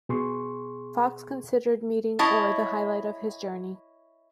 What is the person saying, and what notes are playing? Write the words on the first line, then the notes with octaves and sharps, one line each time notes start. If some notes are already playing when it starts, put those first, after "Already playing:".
Fox considered meeting Orr the highlight of his journey.
B2 G#4 C6 C#6
E4 C#5 D#5 A5